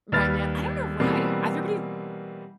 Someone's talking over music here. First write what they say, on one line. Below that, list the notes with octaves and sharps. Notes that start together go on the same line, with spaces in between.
by then I don't know why, everybody
D#2 G3 B4 F6 A6
B2 E3 G3 A#3 C4